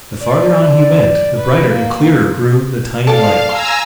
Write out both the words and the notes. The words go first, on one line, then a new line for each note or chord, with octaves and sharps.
The farther on he went, the brighter and clearer grew the tiny light.
D5
B4
A#3
A4 D5 F5 A5
G#5 A#5 C6 E6